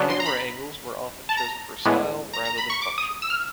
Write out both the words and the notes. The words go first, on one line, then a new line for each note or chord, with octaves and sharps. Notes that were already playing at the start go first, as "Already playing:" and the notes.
Camera angles were often chosen for style rather than function.
Already playing: C#3 F#3 B3 D4
C6
A#5
B5
A5
A#5
A2 E3 G#3 B3
A#5
A#5
B5
C#6
D6
D#6
E6
F6